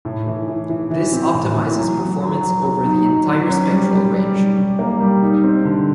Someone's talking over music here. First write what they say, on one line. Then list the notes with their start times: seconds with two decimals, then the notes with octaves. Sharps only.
This optimizes performance over the entire spectral range.
0.05 A2
0.27 E3
0.48 E3
0.69 E3
0.90 E3
1.13 C4
1.34 A2
1.56 E3
1.77 F#3
1.99 F#3
2.21 F#3
2.41 F#3
2.63 F#3
2.85 D#4
3.06 F#3
3.27 F#3
3.49 C#4
3.71 G3
3.93 G3
4.14 G3
4.36 G3
4.57 G3
4.79 A#3
5.01 G3
5.22 D#4
5.44 C4
5.65 D3